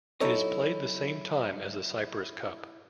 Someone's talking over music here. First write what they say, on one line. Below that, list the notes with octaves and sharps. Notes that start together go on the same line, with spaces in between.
It is played the same time as the Cyprus Cup.
F#3 D#4 E4 A4 C#5 D#5